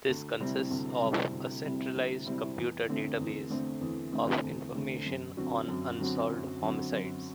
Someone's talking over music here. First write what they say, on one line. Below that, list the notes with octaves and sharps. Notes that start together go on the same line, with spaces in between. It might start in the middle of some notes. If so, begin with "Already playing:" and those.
This consists of a centralized computer database of information on unsolved homicides.
D2
C3 G3 C4 E4
D2
C3 G3 C4 E4
D2
C3 G3 C4 E4
D2
C3 G3 C4 E4
E2
D3 A3 C4
E2
D3 A3 C4
E2
D3 A3 C4
E2
D3 A3 C4
F#2
D3 F#3 C4 F#4
F#2
D3 F#3 C4 F#4
F#2
D3 F#3 C4 F#4
F#2